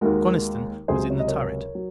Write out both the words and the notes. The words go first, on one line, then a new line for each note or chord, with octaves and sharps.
Coniston was in the turret.
D#2 D#3 G#3 F#4 A#4
C#2 C3 F#3 G#4 C5
C#5
D#5
A#4 C#5
F#3